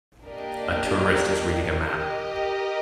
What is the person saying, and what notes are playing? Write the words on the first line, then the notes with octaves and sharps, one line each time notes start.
A tourist is reading a map.
A#3 D4 G4 A#4 D#5
G4 A#4 D#5